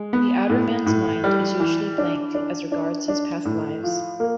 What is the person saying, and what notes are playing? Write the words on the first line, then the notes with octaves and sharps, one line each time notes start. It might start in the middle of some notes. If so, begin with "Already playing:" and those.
The outer man's mind is usually blank as regards his past lives.
Already playing: G#3
B3
A2
A2
G3
E3
D4
D4
D4
D4
A2
F3
A#3